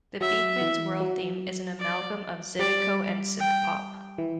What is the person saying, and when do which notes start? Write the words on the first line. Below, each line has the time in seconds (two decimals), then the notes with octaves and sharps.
The "Beakman's World" theme is an amalgam of Zydeco and Synthpop.
0.21 F#3 E5
0.61 E3
1.00 F#3
1.80 D5
2.59 G3 D5
3.40 G5
4.18 E3